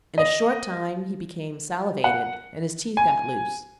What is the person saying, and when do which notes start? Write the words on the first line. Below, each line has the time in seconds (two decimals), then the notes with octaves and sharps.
In a short time he became salivated, and his teeth got loose.
0.18 D#5
2.04 F#5
2.97 G#5